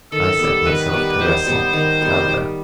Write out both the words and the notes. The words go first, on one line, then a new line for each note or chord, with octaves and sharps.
I set myself to wrestle with Caliban. . . .
D#3 A4
G3 B3
D#3 B4
G3 B3
D#3 C5
G3 B3
D#3
G3 B3
G3